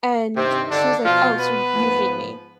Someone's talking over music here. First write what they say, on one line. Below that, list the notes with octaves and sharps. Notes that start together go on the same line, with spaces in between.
And she was like, "Oh, so you hate me."
G2 C3 D#3 C4
D3 D4
B2 F3 F4
B3 B4
G#2 F3